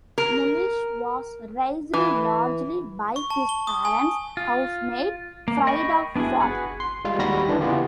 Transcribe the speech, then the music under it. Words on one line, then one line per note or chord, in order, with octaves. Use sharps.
Mulisch was raised largely by his parents' housemaid, Frieda Falk.
A#4
E3
C#6
A5
G7
D#6
G#5
F4
A#3
D#5 G5 B5 C#6
B3 D4 E4 F#4 G#4
F#4 G#4 B4 F#5
C6
G3 G#3 F4
D#2 G3 D#4 F#4 B5 A#6
D3 E3 D4
C#3 E3 B3 F4 G4